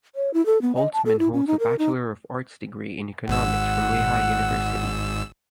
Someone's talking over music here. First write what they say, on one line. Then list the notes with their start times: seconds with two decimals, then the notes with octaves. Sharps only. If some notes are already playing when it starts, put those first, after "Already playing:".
Holtzman holds a Bachelor of Arts degree in Economics from Lehigh University.
0.15 C#5
0.34 E4
0.46 A4
0.62 B3
0.75 D#5
0.93 A5
1.06 A4
1.19 E4
1.33 C#4
1.47 D#4
1.60 A#4
1.79 D#4
3.28 G#1 G#2 F#5 E6